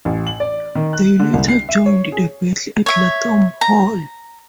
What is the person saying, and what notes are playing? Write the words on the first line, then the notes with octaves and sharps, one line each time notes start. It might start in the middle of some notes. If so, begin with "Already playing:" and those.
They later joined the battle at Lathom Hall.
A1
F#7
D5
D#3
F#6
D3
C2
C7
E5
C#5
G#4
C#5 E5
A#5